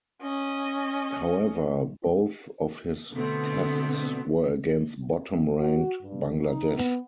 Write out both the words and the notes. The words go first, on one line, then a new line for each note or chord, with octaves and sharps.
However, both of his Tests were against bottom-ranked Bangladesh.
C#4 D#5
B2 D3 A3 B3 C4
F#4
G2
D#4
B3